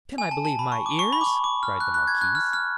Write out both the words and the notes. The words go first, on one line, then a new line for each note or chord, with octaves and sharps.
"Can I believe my ears?" cried the marquise.
G#5
A5
A5
B5
C#6
D6
C#6
B5
D6
C#6
D6
F6
F#6
F#6
G#6
F#6
F6
F6